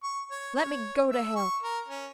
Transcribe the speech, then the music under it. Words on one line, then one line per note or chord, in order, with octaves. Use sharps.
Let me go to hell!
C#6
C#5
C#5
E5
C#6
A#4
C#4